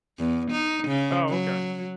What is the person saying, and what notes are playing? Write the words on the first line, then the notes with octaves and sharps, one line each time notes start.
Oh, okay.
E2
D#4
C#3
F#3